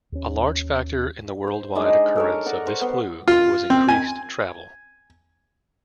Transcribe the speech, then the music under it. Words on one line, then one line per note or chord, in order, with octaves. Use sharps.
A large factor in the worldwide occurrence of this flu was increased travel.
D#2 C#4
C5
G#3 D4 D#4
A4 A#4 C#5
D5 F#5 A#5
C5 C#6
B3
F4
C4
G#5